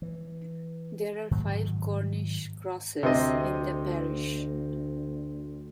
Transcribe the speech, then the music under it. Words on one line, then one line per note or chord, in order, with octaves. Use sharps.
There are five Cornish crosses in the parish.
E3
G#2 D#3 F#3 G#3
D2 C3 C4 D#5